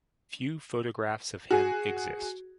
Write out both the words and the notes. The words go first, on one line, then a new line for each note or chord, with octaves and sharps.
Few photographs of him exist.
F#4 G#4